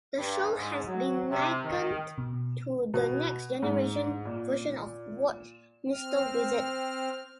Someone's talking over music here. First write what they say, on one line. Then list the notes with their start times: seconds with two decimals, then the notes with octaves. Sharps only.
The show has been likened to the next generation version of "Watch Mr. Wizard".
0.17 G2
0.53 G#2
0.86 F#3
1.29 C3
1.64 D#3
2.18 B2
2.94 B2
3.62 G#2
4.25 A#2
5.93 C4 F6